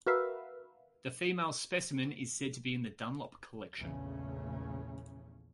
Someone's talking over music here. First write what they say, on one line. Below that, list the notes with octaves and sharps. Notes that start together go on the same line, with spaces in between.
The female specimen is said to be in the Dunlop Collection.
F#4 A#4 B4 E5 F5
A#1 E2 C#3 A3 C#4